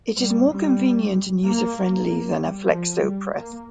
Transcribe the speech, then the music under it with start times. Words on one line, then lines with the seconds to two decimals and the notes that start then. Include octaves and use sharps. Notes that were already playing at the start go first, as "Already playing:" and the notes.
It is more convenient and user friendly than a flexo press.
0.17 G3
0.49 G3
1.44 A#3
2.06 A#3
2.39 G3
2.70 F3
3.01 G3
3.33 A#3